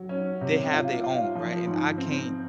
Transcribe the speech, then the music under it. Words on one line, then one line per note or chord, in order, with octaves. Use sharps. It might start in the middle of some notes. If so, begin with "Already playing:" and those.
they have their own, right? And I can't
Already playing: F#3
C#4
C3
F4
F4
F3
G#2
C4